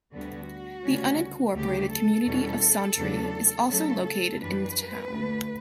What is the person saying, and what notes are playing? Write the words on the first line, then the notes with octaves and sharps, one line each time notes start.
The unincorporated community of Sauntry is also located in the town.
D2 D3 G3 B3 F#4
D2 C#3 G3 C#4
D2 C#3 F#3 G4
A4
E2 B2 G3 C#4
E2 C#3 F#3 A3 D4
C#3 F#3 A3 C#4 A4
A4
F#2 E3 G3 D4 B4
D2 D3 A3